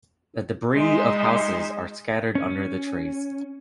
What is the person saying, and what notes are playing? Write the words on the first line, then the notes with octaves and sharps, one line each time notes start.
The debris of houses are scattered under the trees.
G#3 D#4 E5 C6
C#4